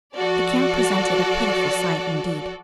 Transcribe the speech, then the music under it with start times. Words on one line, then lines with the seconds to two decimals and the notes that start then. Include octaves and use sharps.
The camp presented a pitiful sight, indeed.
0.16 F3 F#4 A4 D5